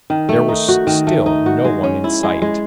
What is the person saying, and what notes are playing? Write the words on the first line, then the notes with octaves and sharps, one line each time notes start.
There was still no one in sight.
D#3
A3
D#4
F#4
D#3
A3
D#4
F#4
G#3
C#4
E4
G#3
G#3